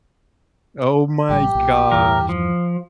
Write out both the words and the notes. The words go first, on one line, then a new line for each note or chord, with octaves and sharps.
Oh my gosh.
A1 A2 G3 G4
B1 A#2
E2 G2 E3 A#4
F3